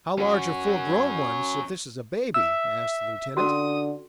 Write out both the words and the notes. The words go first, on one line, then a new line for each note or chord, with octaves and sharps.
"How large are full grown ones if this is a baby?" asked the lieutenant.
C#4 F#4
E5 E6
D3 C#4 F#4 D#6